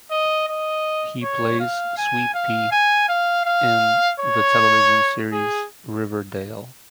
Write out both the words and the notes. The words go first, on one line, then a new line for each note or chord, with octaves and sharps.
He plays Sweet Pea in the television series "Riverdale".
D#5
D#5
C#5
F5
G#5
F5
G#5
F5
F5
C#5
G#4